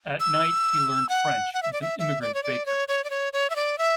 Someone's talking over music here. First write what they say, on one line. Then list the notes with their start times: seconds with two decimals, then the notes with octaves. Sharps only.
At night he learned French with an immigrant baker.
0.20 E6
1.09 F#5
1.54 F#5
1.63 E5
1.73 D5
1.82 E5
1.99 E5
2.22 D5
2.34 C#5
2.43 D5
2.66 C#5
2.88 C#5
3.04 D5
3.10 C#5
3.33 C#5
3.50 E5
3.56 D5
3.78 E5